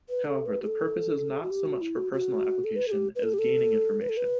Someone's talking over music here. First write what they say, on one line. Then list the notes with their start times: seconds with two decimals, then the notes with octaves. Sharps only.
However, the purpose is not so much for personal application as gaining information.
0.09 B4
0.25 A4
0.46 B4
0.62 G4
0.67 A4
1.43 F#4
1.50 G4
1.66 F#4
1.81 E4
1.97 F#4
2.13 F#4
2.64 A4
2.76 B4
2.88 A4
2.91 G4
3.15 B4
3.23 A4
3.34 G4
3.39 A4
4.02 B4
4.09 A4
4.17 B4